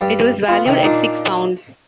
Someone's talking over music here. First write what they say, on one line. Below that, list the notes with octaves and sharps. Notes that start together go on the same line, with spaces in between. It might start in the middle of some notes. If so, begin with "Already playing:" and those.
It was valued at six pounds.
G2 G3
B3 F4
C3 D#3
A#2 D4 D#4